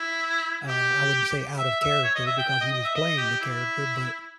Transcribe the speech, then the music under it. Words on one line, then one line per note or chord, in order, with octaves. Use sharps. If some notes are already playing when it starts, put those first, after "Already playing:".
uh, I wouldn't say out of character because he was playing the character but
Already playing: E4
G4
E5
E5
C#5
D#5
E5
G5
G5
D#5
D#5
E5
D#5
G4
E4